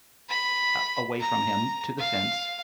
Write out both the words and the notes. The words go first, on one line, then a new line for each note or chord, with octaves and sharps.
a away from him to the fence,
B5
A#5
F5